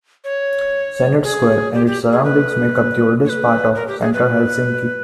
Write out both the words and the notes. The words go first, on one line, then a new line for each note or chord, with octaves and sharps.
Senate Square and its surroundings make up the oldest part of central Helsinki.
C#5
G#4
G4
G4
G#4
B4
C#5
B4
A#4
G4
G#4
B4